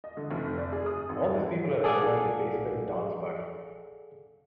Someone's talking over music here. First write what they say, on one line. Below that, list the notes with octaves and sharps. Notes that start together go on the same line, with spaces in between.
All these people are enjoying a basement dance party.
D#5
D3
F1
D5
G#4
D#6
G#1
G#4 A4 D5 F5 F#5 G#5